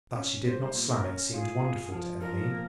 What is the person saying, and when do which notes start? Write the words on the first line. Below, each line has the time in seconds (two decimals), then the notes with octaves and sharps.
That she did not slam it seemed wonderful to Emmeline.
0.17 C#4
0.46 G3 C5
0.75 A#2
0.90 A#4
1.04 C#4
1.33 F4 G#4
1.62 F4
1.92 F3
2.21 F3 A#4
2.51 A#3